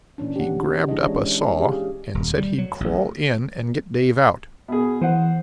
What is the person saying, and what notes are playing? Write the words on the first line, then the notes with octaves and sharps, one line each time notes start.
He grabbed up a saw, and said he'd crawl in and get Dave out.
A#2 E3 C#4 D4
G4 F#5
E3 D4 E4 G#4 D#5
G#3 C#4 C#5
G4 G#4 F5
D#1
G3
F#3
A1
B2 G#4
E3 C5 F#5